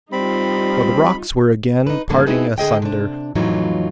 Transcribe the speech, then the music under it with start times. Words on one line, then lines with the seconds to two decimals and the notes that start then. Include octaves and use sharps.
For the rocks were again parting asunder.
0.12 G3 C4 D#4 F4 B5
1.87 D#4 B4
2.09 G2 B2 D3 E3 A#3 D4
2.26 C4 D#4 E4 G#4 B4
2.58 D3 G#4 D#5 G5
2.82 C3 D4
3.35 F2 A2 E3 F#3 D#4 F4